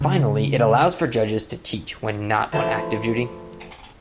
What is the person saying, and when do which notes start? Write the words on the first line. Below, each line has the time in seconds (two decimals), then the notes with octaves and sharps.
Finally, it allows for judges to teach when not on active duty.
0.01 C#3
2.52 E3 F3 A3 D4 C5 D5